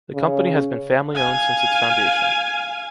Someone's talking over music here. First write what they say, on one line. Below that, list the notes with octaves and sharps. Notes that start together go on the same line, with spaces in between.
The company has been family owned since its foundation.
C#3
F5 G#5